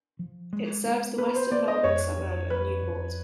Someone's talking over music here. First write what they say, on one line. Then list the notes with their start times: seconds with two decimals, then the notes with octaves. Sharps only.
It serves the western Melbourne suburb of Newport.
0.19 F3
0.53 G#3
0.85 B3
1.18 B3 B4
1.35 C5
1.51 B3 D5
1.68 D#5
1.84 F2 C#5
2.17 F2
2.49 F2 B4
2.83 F2